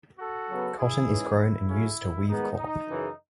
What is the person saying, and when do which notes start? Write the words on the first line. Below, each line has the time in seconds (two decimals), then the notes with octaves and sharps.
Cotton is grown and used to weave cloth.
0.19 F#4 A4
0.49 C#3 F#3 B3
0.78 E4 G#4
1.08 G#2 E3 G#3 C#4
1.37 E4
1.68 C#3 F#3 A3 C#4
2.27 D#3 G#3 B3 D#4
2.57 D#4
2.87 F#2 C#3 E3